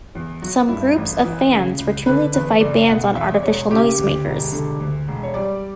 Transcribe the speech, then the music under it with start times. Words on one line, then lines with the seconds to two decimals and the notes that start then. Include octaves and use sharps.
Some groups of fans routinely defy bans on artificial noisemakers.
0.15 E2
0.42 F#3 F#4
0.69 G2 E4
0.96 A1
1.24 E3
1.52 C#3
1.78 C#2
2.06 D3 B4
2.34 E2 B4
2.60 F#1 D5
2.88 B2 F#5
3.16 E2 E5
3.36 D5
3.43 E1 C#5
3.71 C#3 G4
3.98 D2
4.25 E1
4.52 D3
4.80 D2
5.08 E1
5.23 C#5
5.34 G3 D5